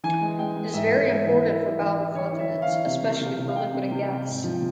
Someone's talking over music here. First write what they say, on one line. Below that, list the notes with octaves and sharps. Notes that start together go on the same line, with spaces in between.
It is very important for bowel continence, especially for liquid and gas.
E3 G#5
G#3
G#3 G5
G#3
G#2 E5
G#2
G#2
E3
E4
E4
E3
E4
E3 C#5
E4
E5
E4
F5
E3
C3
C3
C3
C3
F5
C4 G5
C4
C3
C4
G#2
F3